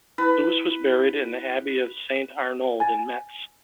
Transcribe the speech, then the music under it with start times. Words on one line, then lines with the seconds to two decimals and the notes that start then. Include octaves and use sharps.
Louis was buried in the Abbey of Saint-Arnould in Metz.
0.18 E4 B4
2.80 G#5 A6